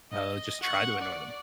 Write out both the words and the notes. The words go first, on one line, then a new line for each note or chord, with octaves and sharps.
Oh, just try to annoy them.
D#5
F#5 C#6
D5